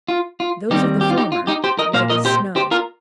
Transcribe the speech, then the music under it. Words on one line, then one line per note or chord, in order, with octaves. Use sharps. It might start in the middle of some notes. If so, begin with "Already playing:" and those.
Those of the former white as Snow.
F4
F4
D#2 D#3 G3 C4 D#4 G4
G4
F4
D#4 G4
F4
D#4 G4
G4 C5
A#4 D#5
A#2 A#3 C5 F5
A#4 D#5
G4 C5
G4 C5
F4 A#4